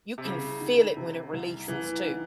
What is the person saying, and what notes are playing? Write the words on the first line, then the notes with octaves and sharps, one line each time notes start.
you can feel it when it releases, too.
C3
C2 C#3
D#3
C3
C2
C2 E3
D#3